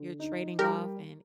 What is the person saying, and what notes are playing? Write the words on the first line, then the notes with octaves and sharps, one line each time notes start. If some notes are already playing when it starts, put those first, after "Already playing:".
you're trading off and
Already playing: D3
D#4
G3 G4 A#4